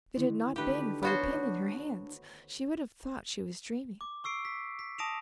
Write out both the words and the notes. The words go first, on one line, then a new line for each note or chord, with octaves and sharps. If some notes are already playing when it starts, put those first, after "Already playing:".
If it had not been for the pin in her hands she would have thought she was dreaming.
D3 D#3 E4
A3 D4 D#4 F#4 G4 B4
B3 F#4 C5 C#5 A#5
D6
C#6 E6 C7 D7
B6
B6
A5 D#6 A#6 D7 E7 F7